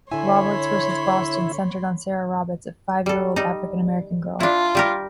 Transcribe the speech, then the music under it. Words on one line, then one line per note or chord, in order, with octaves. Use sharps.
"Roberts versus Boston" centered on Sarah Roberts, a five-year-old African-American girl.
D3 E4 C#5 G#5 B5 C6
G3 A4
G3 D#4
D4 E4 F4
G3 G4 A#4